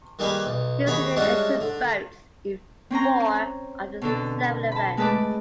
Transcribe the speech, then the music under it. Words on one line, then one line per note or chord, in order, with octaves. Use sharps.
New Zealand entered boats in four of the seven events.
D#3 G3 A#3 G4 G#4 B4
B1
D#2 F#4 G#4 C#5 B5
G3 G#3 C#4 D4 E4 F#4
D3
C4 C#4 C5 A#5
B2 D3 A4
A5 B5
G#3 A3 B4 A5 B5 D6